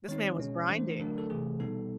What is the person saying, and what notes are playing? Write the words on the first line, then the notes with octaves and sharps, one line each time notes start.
This man was grinding.
D#3 G#3 C4 D#4 C#5
B2 G#3 C#4
E3 A3 D4 C5
D3 F#3 A3 D4 A#4
A4
C3 E3 A3 G#4
B2 G3 B3 D#4 A4